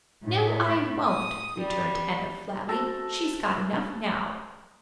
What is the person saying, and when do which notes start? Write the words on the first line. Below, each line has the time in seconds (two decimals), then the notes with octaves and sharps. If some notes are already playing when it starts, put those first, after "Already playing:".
"No, I won't," returned Enna, flatly; "she's got enough now."
0.24 A2
1.06 D#6
1.59 G3
2.68 A3 F#4 C5 A5 E6 A#6